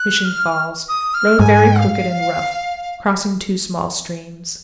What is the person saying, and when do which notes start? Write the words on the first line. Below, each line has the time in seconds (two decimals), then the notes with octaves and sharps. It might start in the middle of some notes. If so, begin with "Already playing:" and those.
Fishing Falls.--Road very crooked and rough, crossing two small streams.
Already playing: F#6
0.25 F6
0.89 D#6
1.14 F6
1.39 G#2 G#5
1.78 F5